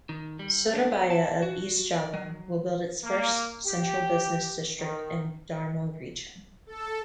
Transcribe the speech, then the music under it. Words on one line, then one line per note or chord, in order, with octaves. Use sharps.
Surabaya of East Java, will build its first central business district in Darmo region.
D#3
G3
D4
B3
A5
F#4
D5
F#3
A#3
G4
D#3
A4